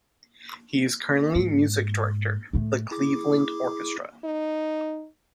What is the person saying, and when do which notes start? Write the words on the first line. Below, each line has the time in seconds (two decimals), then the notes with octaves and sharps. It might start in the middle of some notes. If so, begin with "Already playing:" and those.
He is currently music director of the Cleveland Orchestra.
1.35 G#2
2.53 A2 A3
2.91 E4 G#4 D6
4.25 D#4